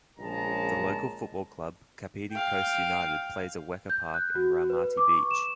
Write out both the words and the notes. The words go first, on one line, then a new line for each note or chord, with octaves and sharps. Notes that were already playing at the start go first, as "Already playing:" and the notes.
The local football club, Kapiti Coast United, plays at Weka Park in Raumati Beach.
A#1 C#3 G#3 A5 A#5
F5 G5
G6
F#6
F#4
B4
D6
C#6
E7